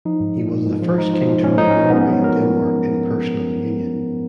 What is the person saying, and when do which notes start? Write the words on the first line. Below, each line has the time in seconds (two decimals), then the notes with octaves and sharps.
He was the first king to rule Norway and Denmark in personal union.
0.05 F3 D#4
0.20 G#2
0.36 G#2
0.52 G#2
0.67 G#2
0.82 F3
0.98 G#2 D#4
1.14 F3
1.29 F3
1.43 G#2 C#4
1.58 G#2 D#4
1.70 C#4
1.75 F3
1.90 G#2 B3
2.01 B3
2.05 F#3
2.13 C#4
2.22 F#3 A#4